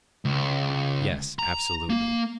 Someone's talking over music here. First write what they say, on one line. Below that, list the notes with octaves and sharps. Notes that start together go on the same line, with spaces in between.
"Yes; absolutely."
C#2
A#5
A#3